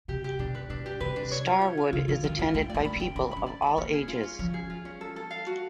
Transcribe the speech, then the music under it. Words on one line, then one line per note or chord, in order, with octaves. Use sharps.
Starwood is attended by people of all ages.
C3 G4
G4
B2 D4
B4
B2 D4
G4
C3 B4
D4
C#5
F4
C#5
F4
C#3 F4
D3 F4
D#3 F4
G#3 F4
A3 G5
A#3 D5
B5
C#4
G5
D4 B5
B5
C#4
D5
B5
A#3 C#4
G#4
F4
C#4
F3 C#4
G#4
F4
C#4
A4
A4
F5
F#4